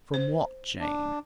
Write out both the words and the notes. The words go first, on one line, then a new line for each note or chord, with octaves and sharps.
"From what, Jane?"
C5
D4